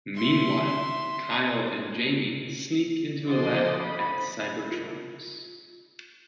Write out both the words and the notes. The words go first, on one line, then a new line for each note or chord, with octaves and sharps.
Meanwhile, Kyle and Jamie sneak into a lab at Cybertronix.
E5 C6
D3 F3 C5 D5 D#5 C6
B5
F4 A#4